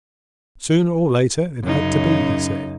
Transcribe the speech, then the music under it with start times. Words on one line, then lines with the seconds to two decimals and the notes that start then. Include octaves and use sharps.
"Sooner or later it had to be," he said.
1.63 F#2 C#3 D#4